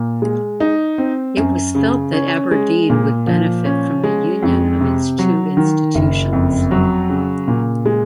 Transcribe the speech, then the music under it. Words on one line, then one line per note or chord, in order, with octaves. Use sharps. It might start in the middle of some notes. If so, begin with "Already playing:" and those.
It was felt that Aberdeen would benefit from the union of its two institutions.
Already playing: A#2
G#3
D#4
C4
F#2
C#3
C#4
G#3
A#2
F3
C#4
G#3
F2
C3
F#3
D#3
F#1
F2
F#3
C#3
A#2
G#3